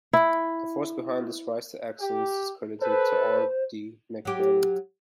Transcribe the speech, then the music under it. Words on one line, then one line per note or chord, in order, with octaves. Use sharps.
The force behind this rise to excellence is credited to R. D. McGregor.
E4
G4
A4 B4 C5
F#3 G4